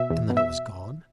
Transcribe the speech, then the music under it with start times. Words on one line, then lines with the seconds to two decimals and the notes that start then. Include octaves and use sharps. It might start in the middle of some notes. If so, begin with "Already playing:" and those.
'And then it was gone?'
Already playing: B2 E5
0.10 E2
0.30 B2
0.37 E5